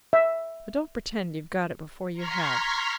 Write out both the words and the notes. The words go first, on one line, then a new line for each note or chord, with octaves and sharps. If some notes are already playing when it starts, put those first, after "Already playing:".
But don't pretend you've got it before you have.
E5
A#5 C6 C#6 F6 G#6 B6